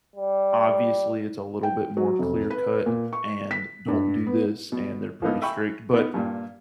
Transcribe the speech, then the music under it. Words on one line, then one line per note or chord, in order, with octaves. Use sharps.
obviously, it's a little bit more clear-cut and, "Don't do this," and they're pretty strict, but
G3
G5
F#3
F1
B4
A#2
C#6
B6
G2
B3
B2
F3 A#3 B3 D#4
E5 G5 B5 C#6
B3 D#4
G2 A#2